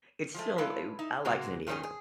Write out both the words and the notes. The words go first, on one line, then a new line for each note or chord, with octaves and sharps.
it's still u I like San Diego.
F3 G#3 A3
G#3 E4 A4 B4 D5 F5
D#4 E5
C#3 F#3 G#3 A#3 C4 F#4
A#2 D#3 G3 G#3 C#4 G#4
G#4